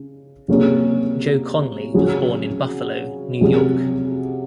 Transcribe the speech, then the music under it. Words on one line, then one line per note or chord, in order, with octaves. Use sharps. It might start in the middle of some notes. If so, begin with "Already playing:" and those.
Joe Conley was born in Buffalo, New York.
Already playing: C#3
C3 F#3 A#3 C#4 G#4
C#3 F#3 C#4 G#4
C3 F#3 C#4 G#4